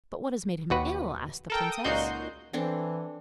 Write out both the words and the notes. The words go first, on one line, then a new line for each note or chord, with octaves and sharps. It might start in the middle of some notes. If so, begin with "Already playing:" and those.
'But what has made him ill?' asked the princess.
D#2 F#4 B4
A4 A#4 G5
D#6
C#2 A#2 D#4 F#4 C6 G6
E3 C4 D4 A4